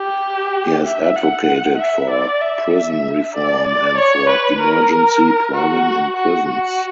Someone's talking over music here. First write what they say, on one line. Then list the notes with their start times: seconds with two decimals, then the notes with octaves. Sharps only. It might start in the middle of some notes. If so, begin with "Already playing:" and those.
He has advocated for prison reform and for emergency planning in prisons.
Already playing: G4
0.84 E5
1.15 F#5
1.78 E5
2.10 D5
2.41 E5
3.35 D5
3.67 D5
3.98 C#5
4.30 B4
4.60 A#4
5.55 F#4
6.17 F#4
6.49 F#4